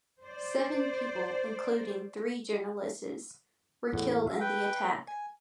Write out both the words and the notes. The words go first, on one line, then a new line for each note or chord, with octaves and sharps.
Seven people, including three journalists, were killed in the attack.
C5 D5
E2 A2 F#5
E5 F5
B4 G5
G#5